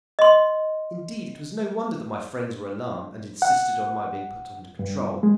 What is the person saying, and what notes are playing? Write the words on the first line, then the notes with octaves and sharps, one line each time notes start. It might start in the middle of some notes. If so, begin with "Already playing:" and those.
Indeed, it was no wonder that my friends were alarmed, and insisted on my being put under control.
D#5 C6
F#5
G2
G#3